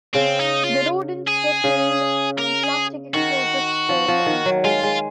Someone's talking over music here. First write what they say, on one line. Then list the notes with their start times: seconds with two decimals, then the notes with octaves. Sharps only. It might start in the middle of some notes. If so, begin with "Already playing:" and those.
The rodents were killed and plastic explosives sewn inside them.
0.14 C#3 C4
0.39 D#4
0.64 F4
1.27 G#4
1.64 C#3
2.39 A#4
2.64 G#4
3.14 D#3 F#4
3.89 F3
4.08 F3
4.26 D#3
4.46 F#3
4.64 G#3 F4
4.83 G#3